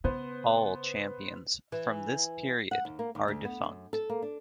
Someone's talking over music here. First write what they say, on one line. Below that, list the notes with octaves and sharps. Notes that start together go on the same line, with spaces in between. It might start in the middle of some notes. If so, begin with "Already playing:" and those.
All champions from this period are defunct.
C#3 B3 B4 C5
E3
F#5
D#2
A#3
D#2
D2
B3
F#2
A4
A#3
D4